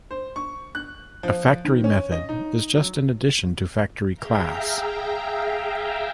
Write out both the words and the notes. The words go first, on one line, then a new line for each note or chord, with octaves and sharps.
A factory method is just an addition to Factory class.
C5
C#6
F#6
F3
D#3
C#4
D#5
D#4
F#3
G#4 E5 F5 G5 A#5